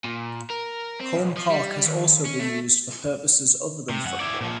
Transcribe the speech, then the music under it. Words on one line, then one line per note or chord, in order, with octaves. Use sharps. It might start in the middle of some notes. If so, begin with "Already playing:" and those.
Home Park has also been used for purposes other than football.
A#2
A#4
C4
B1
F3
G3
D#2
C#4
A3
C3
F#2 F#5
E4 D5
A#2 F3